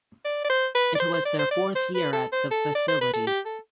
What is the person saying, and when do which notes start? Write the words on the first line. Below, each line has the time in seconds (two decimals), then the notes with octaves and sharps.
It was their fourth year at the facility.
0.25 D5
0.44 D5
0.49 C5
0.75 B4
0.95 D5
1.00 C5
1.14 C5
1.25 D5
1.39 C5
1.51 D5
1.75 C5
1.94 B4
2.13 A4
2.32 C5
2.51 A4
2.75 D5
2.88 C5
3.01 B4
3.13 A4
3.27 G4
3.45 A4